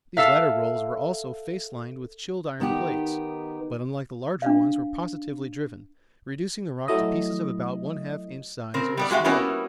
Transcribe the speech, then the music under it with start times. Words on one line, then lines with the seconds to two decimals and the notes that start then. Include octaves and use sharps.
These latter rolls were also face-lined with chilled-iron plates; but, unlike the larger ones, were positively driven, reducing the rock to pieces of about one-half-inch size, or smaller.
0.17 A4 E5 F5
2.60 D#3 B3 D#4 G4
4.42 D4 F5
6.88 F#3 A3 E4 D#5
8.74 C#3 C4 A#4
8.97 G3 B3 D5
9.10 F2 G#3 F#4 G4 E5 F5
9.24 G3 A#3 B3 C#4 E4 F#4